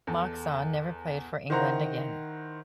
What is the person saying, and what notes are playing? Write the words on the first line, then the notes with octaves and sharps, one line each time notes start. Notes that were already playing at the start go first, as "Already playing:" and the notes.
Moxon never played for England again.
E2 A4
D#3 E4 C5 F#5 A#5